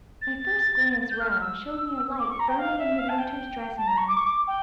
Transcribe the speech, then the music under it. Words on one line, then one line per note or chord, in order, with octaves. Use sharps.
My first glance round showed me a light burning in Midwinter's dressing-room.
A6
A6
G6
F6
F6
E6
D6
C#6
A#5
G5
F5
E5
F5
A5
G5
A5
A#5
C#6
D6
C#6
D6
G5